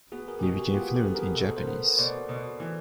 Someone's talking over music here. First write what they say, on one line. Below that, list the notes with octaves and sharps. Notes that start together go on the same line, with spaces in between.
He became fluent in Japanese.
B3 F#4 G#4
G#4 A#4
G4
B2 F#4 G#4
F#4
B3 F4 G4
G4 A4
B3
G#4 A#4
B2 A4 B4
A#4 C5
B3
B2 C5 D5
B2
E3